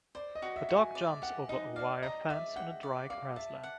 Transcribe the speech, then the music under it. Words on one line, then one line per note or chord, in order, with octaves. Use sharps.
A dog jumps over a wire fence in a dry grassland.
C5 D5
D#5
F#4
E5
F#4
G#5
D5
G4 F#5
D#4 D#5
D5 F5
D#5 A#5
D5 E5
F#5 G5
D5
D5 F5
E5 A5
F#5